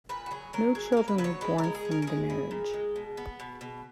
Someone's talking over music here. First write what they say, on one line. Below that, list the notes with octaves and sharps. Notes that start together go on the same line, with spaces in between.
No children were born from the marriage.
A#2 B4
F#4
F#3 G#4
F#3 A#4
F#3 G#4
A#3 A#4
B4
F#3 B4
C#5
G#3 B4
A#4
G#3
G#4
C#4
A#4
A#4
G#3 G#4
E4
A#2
G#3
B2
B3
B2
B2